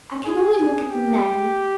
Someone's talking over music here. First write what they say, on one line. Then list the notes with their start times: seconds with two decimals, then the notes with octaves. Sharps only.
I can only look at the men.
0.25 G#4
0.91 G4